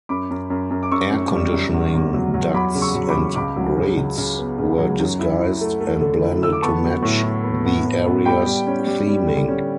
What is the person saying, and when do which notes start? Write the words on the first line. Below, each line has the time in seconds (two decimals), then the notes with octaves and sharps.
Air conditioning ducts and grates were disguised and blended to match the area's theming.
0.09 F#2 B5 D6
0.30 F#2
0.50 F#2
0.70 F#2
0.83 D6
0.91 F#2 C#6 E6
1.12 F#2
1.32 G3
1.52 F#2
1.73 E2
1.94 E2
2.14 F#3
2.34 F#3
2.54 F#3 B5 D6
2.75 C#3
2.82 C#6 E6
2.95 F#3
3.09 B5 D6
3.16 C#3
3.36 C#2 B5 D6
3.56 F#3
3.77 C#3
3.97 C#2
4.18 C#3
4.38 B3
4.59 C#3
4.78 F#3
5.00 F#2
5.19 E4
5.39 E4
5.61 A3
5.81 A3
6.01 D3
6.21 E4
6.42 D3 E6
6.52 D6
6.62 B3 A5 C#6
6.83 F#3
7.03 A2
7.23 E4
7.44 B3
7.65 B3
7.85 A2
8.06 B3
8.26 G3 G5 B5
8.46 G3
8.67 C#4
8.87 G3
9.08 G3
9.28 D3
9.48 C#4